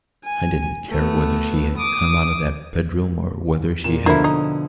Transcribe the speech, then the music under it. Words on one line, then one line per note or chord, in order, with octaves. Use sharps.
I didn't care whether she had come out of that bedroom or whether she hadn't.
G#5
A3 B3
D6 D#6
A#2 E7
B2 D3 F3 A#3 E4
D#4